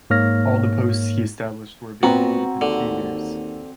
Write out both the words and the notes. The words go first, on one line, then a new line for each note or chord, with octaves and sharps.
All the posts he established were abandoned within a few years.
G#2 A#3 C#5 F6 A#6
A#2 B3 C4 F#4 A#5
D#2 D3